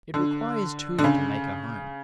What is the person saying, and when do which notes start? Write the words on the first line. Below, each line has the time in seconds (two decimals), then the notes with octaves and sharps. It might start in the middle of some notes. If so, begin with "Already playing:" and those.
It requires two to make a home.
0.14 D3
0.99 D3
1.04 C#3